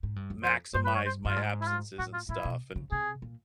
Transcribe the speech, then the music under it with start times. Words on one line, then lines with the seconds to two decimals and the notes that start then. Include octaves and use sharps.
maximize my absences and stuff, and
0.03 G#2
0.16 G2
0.30 F#2
0.43 F2 C5
0.74 G2 C5
0.85 B4
0.95 C#5
1.06 C5
1.25 G2 F4
1.36 G#2
1.61 E4
1.67 F4
1.99 A2 F#4
2.14 F4
2.29 A2 E4
2.45 B2
2.76 C#3
2.91 C3 G#4
3.22 A#2